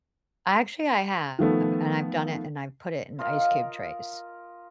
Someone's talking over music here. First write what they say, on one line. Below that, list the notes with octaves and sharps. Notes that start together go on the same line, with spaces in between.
Actually, I have, and I've done it, and I've put it in ice cube trays.
D#3 F3 A3 B3
F4 A#4 D#5 F5